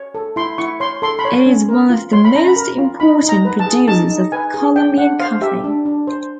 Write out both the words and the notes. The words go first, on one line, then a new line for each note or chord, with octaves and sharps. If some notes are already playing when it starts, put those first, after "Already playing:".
It is one of the most important producers of Colombian coffee.
Already playing: C#5
A4
E4 C6
E4 C#6
C#5 C6
A4 C6
B5
C#5 C6
C#4
A#4
F4
C#5 C6
B5
C#4 A#5
B5
A#4
F4
D#4 B5
D#4
A#5
B4
A5
G#4
D#4 A5
D#4
B4 G#5
G#4
D4 G5
D4 F#5
C5 F5
G4 E5
D4
D4
C5